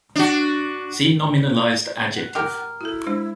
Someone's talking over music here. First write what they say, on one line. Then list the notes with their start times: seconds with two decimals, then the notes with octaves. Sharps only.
See nominalized adjective.
0.16 D4 F#4
2.16 F#5
2.35 G4 A#4
2.81 E4 F#4 A4
3.06 G#3 D4 C5